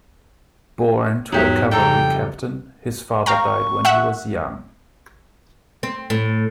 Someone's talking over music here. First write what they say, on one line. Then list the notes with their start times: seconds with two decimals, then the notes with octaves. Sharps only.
Born to a cavalry captain, his father died when he was young.
1.32 E2 G#2 F3 F#3 D#4 G4 E5
1.71 F2 C#3 G3 A4 G5 A#5
3.26 F5 G5 A#5 C#6
3.85 E5 F#5 F#6
5.83 C4
6.10 A2